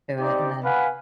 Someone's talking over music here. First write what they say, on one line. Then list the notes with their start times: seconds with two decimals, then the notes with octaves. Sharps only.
it, and then,
0.19 C4 D#4 G4 D5
0.64 B4 F5 F#5 G#5 B5